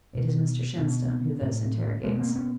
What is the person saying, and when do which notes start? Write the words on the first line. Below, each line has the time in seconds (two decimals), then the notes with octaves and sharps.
It is Mr Shenstone who thus interrogates.
0.15 B2
0.78 B2
1.41 A2
2.04 B2 G#3 A#3
2.15 B3
2.20 A#3 C4
2.35 B3 C#4